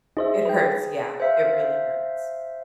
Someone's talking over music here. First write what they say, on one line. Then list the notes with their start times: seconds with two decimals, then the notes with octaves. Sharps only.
It hurts, yeah, it really hurts.
0.17 D#4 G#4 C5 E5
0.45 B4 G5
1.20 C5 E5 F5